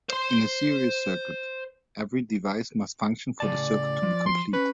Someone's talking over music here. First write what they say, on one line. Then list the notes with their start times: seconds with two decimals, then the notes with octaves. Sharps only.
In a series circuit, every device must function for the circuit to be complete.
0.10 C5 C6
3.40 A2 C#3 D5 A5
4.03 F3
4.26 C6
4.53 C#4 B4